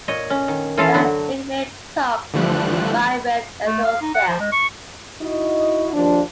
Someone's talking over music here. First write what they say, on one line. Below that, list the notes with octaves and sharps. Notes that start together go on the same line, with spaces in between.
They are nicknamed Tugs by rail enthusiasts.
A#2 C#5 D#5
C#4
D#3
E3 C#4 F4 A4 F5
D3 F#3 F#4
D3 E3 F3 G3 A3 F#6
A3
F5
D#4
F#5
F3
G#3
C#6
D#4 E4 F#4 D#5
D#2 F3 D4